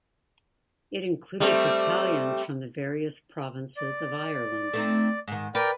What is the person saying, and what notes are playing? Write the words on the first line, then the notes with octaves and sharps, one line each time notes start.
It included battalions from the various provinces of Ireland.
G3 A3 C4
D5
A3 C4 D#4
G#2 D#3
A#4 B4 D5 G5